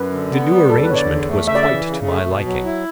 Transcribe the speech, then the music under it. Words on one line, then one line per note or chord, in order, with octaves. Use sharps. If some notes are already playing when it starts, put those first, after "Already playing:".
The new arrangement was quite to my liking.
Already playing: F#2 B4
D3
B3
G3
E2 A4
B4
D3 C#5
D5
E2
A3
C#3 E5
D5
E3 E5
C#3
A3
B2
F#3
E4